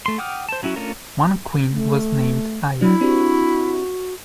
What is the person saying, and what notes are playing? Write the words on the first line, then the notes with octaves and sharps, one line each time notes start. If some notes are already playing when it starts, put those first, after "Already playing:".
One queen was named Iah.
A3 C6
F#5 G5 D6 D#6 F6
C5 A5
F#3 C#4 E4 F#4
A3 C#4 D4 F4 A#4
A3
F#3 D4 E4
C4 D4 F#4 G4